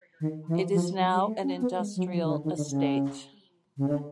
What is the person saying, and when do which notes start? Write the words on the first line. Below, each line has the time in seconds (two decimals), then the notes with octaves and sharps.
It is now an industrial estate.
0.20 D#3
0.47 E3
0.55 F3
0.73 F3
0.99 F#3
1.12 G3
1.26 A3
1.43 C#4
1.61 B3
1.78 G#3
1.96 F#3
2.13 F3
2.23 D#3
2.30 D3
2.44 D#3
2.57 D3
2.69 C#3
3.77 C#3
3.88 D3